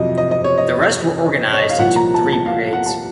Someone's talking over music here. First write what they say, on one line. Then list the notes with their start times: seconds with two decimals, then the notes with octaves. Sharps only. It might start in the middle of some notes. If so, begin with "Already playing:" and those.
The rest were organized into three brigades.
Already playing: F2 C3 F#3 D#5
0.18 D#5
0.31 D#5
0.44 C#5
0.58 D#5
1.53 C#5
1.61 D#5
1.69 F5
1.78 C2 A#2 F3 F#5
1.96 A#5
2.14 A5
2.33 A5
2.46 F5
2.59 F5
2.73 F#5
2.86 A5